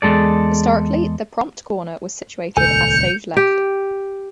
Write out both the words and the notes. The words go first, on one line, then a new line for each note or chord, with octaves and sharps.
Historically, the prompt corner was situated at stage left.
E2 G#2 G#3 A4 D5
D#1 C#2 A4 G#5 G6 C#7 F7
G4